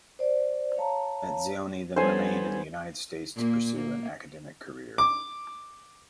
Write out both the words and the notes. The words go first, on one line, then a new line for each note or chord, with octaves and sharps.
Etzioni then remained in the United States to pursue an academic career.
C5 D5
C#5 F5 A5 A#5
G3 B3 C#4 D4 A4 C5 G#5
A#2 A#3
A#3
D6